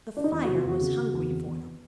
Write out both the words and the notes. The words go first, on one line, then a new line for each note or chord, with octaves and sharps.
The fire was hungry for them.
D4
D#4
E2 E4
C3 F#4
F4
E2 F#4
C#3
C#3
E2
E2
E2